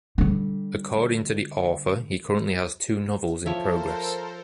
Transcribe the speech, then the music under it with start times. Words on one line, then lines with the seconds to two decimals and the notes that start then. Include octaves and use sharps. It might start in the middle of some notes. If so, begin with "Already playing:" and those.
According to the author, he currently has two novels in progress.
0.18 D3 G3
3.46 F3 A4 A#4 C5 C#5 E5 A5